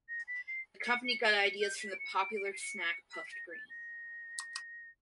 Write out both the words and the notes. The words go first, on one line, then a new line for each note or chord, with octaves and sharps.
The company got ideas from the popular snack puffed grain.
A#6
B6
C7
C#7
C#7
D7
C#7
G6
B6
D7
C#7
D7
D7
C#7
C7
C#7
B6
A#6
A6
A#6